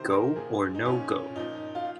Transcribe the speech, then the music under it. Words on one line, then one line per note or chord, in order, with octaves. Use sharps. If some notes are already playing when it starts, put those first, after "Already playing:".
Go Or No Go?
Already playing: C3 D#3 C5
A#4
A#2 F3 G#4
D#4
A#2 F3 C#4
A#2 F3 D#4
F4